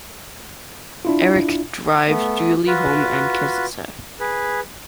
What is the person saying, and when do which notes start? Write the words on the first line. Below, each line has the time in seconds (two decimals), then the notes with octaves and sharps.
Eric drives Julie home and kisses her.
1.05 D4 E4 F4
2.09 A3 B3
2.67 F4 F#4 B4
4.20 G#4 B4